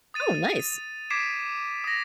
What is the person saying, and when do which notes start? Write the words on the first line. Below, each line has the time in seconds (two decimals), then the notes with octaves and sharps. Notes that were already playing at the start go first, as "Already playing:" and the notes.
Oh, nice.
0.14 D#6 A6 D#7
1.10 D6 G#6 B6 C7 D7 E7
1.84 D#6 A#6